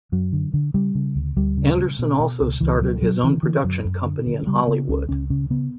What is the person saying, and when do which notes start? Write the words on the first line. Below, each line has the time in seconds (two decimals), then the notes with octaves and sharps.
Anderson also started his own production company in Hollywood.
0.12 F#2 F#3
0.33 D3
0.54 D3
0.74 C#3 G3
0.95 C#3
1.15 D2
1.37 D2 G3
1.57 C#3
1.78 C#3
1.99 B2
2.20 B2
2.40 C#2
2.61 C#2 E3
2.82 B2 F#3
3.02 B2 F#3
3.23 D3 E3
3.43 D3 E3
3.64 F#2 F#3
3.85 F#2
4.06 D3
4.27 D3
4.47 C#3 G3
4.68 C#3 B3
4.89 C#2 C#4
5.09 C#2 C#4
5.30 C#3 C#4
5.50 C#3 B3